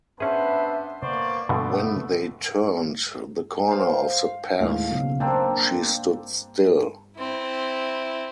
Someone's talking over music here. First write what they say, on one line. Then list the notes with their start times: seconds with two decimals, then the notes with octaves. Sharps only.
When they turned the corner of the path she stood still.
0.20 B3 C#4 D4 G#4 B4 C5 E5
1.02 A#3 B3 C5 D5 C#6
1.49 G2 B2 D3 A3 B3
3.68 C5 F5
4.60 D#2 A2 G#3 F5
4.90 B1 C#3
5.20 A#3 C4 D4 G5
7.18 C4 E4